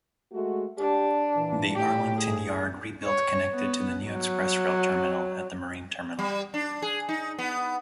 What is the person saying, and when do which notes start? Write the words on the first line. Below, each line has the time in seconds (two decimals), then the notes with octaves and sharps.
The Arlington Yard re-built connected to the new ExpressRail terminal at the marine terminal.
0.33 G#3 A3 F#4
0.78 D4 G4
1.36 A#2 E3
1.75 A2 G4
2.19 G#4
3.04 C#5
3.53 B3
4.07 F#3
6.19 G3
6.54 D4
6.82 G#4
7.09 D#4
7.39 B3